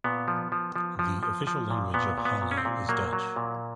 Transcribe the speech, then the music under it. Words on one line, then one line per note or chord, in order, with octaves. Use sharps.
The official language of Halle is Dutch.
A#2 B3
F3
F3
F3
F3
F3
F3
A#2
A#2 B3
A#2
B3
A#2
C#4
C4
A#2
F#3 A#3
F#3
A#2